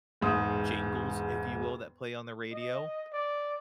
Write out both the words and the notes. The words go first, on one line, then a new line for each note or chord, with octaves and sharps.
jingles, if you will, that play on the radio,
E1 G#2 D#6
D#5
D5